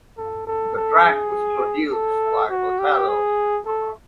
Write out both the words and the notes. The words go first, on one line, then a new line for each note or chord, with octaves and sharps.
The track was produced by Othello.
A4
A4
A4
G#4
A4
F#4
G4
G#4
A4